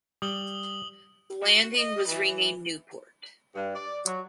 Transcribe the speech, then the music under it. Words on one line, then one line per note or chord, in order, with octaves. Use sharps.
The landing was renamed "Newport".
G3 D#6 F#7 G7
F#4
D#5
E3
G2
D5
F#3